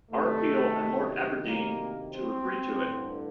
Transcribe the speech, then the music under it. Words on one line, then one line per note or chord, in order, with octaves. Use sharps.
R. Peel and Lord Aberdeen to agree to it.
D2 C3 D#3 A3
A#3
C4
A1 G2 D3